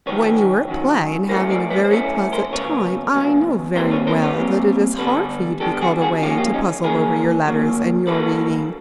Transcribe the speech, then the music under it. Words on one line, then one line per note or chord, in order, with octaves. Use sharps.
When you are at play, and having a very pleasant time, I know very well that it is hard for you to be called away to puzzle over your letters and your reading.
F#2 D#3 F#3 B4 C#5
F#2 D#3 F#3
A2 F#3 A3 C#4 A#4 C5
C5 D5
B4 C#5
C5
A2 F#3 A3 C#4 B4 C#5
A#4 C5
C#3 F#3 B3 B4 C#5
C#3 F#3 B3
A#2 G3 C4 A#4 C5
B4 C#5
A#4 C5
B4 C#5
A#2 G3 C4
D3 G3 B3 A4 B4
D3 G3 B3 G4 A4
F#4 G#4
F#4 G#4
C#3 F3 A#3 C#4 F4 G4
F4 G4
C#4 D#4
C#3 F3 A#3 C#4 G#4 A#4
D3 F#3 A#3
D3 F#3 A#3 A4 B4